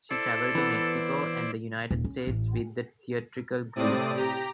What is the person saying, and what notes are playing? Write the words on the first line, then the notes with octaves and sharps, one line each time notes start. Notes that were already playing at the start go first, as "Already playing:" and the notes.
She traveled to Mexico and the United States with the theatrical group.
E4 A4 C5 D5
E3 B3
D#1
C#4
A1
A2 C3 C4 D5 D#6
G4 A#5